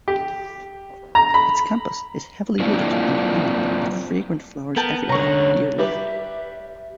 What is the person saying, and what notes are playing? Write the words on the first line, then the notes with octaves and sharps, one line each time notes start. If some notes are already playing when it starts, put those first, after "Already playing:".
Its campus is heavily wooded and green, with fragrant flowers everywhere year-round.
G4
A#5
B5
F#3 A#3 C4 D4 E4 F4
B3 A#4 G5 A5
C2 D3 C#5 A#5 C#6
G3 G4 B4 E5